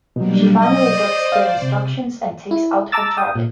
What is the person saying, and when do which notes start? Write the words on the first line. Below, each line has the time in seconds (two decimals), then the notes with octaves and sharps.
She finally gets the instructions and takes out her target.
0.16 B2 F#3 G3 A#3 D4
0.62 C5 D5 D#5
1.32 F5
1.62 C3
2.51 E4
2.92 A5 A#5 D6 E6 A6
3.17 G5 D#6
3.36 A#2